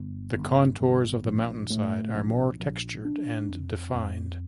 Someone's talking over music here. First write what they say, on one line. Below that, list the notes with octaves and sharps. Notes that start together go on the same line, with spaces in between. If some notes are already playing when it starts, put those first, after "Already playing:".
The contours of the mountainside are more textured and defined.
Already playing: G1
G1
G1
A#1
A2
A#1
A#1
D4
F2
F2